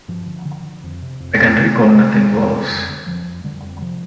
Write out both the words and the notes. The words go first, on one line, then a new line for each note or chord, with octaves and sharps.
I can recall nothing worse.
G2 F3
D3
D3
D3
F2
C3
F2
F2
C3
C3
C3
C3
F2 D3
D3
F2
D3
F2 F3
F2
F2 D3 G3
F2
C3 F3